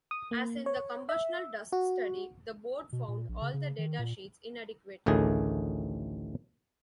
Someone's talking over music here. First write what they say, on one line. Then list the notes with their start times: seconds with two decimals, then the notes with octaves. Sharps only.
As in the combustible dust study, the board found all the data sheets inadequate.
0.11 D#6
0.31 A#3
0.66 C#5
1.09 E5
1.72 F#4
2.92 B2
3.08 A#2
3.29 A#1
3.42 C#3
3.54 C#3
3.78 D#3
3.99 A#2
5.06 A1 D2 A2 D#3 G#4